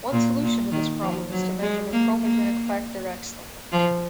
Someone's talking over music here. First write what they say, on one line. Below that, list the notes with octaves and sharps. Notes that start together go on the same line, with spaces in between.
One solution to this problem is to measure the chromogenic factor X level.
A#2
A#2
D#3
F3
F#3
G#3
A#3
A#3
F3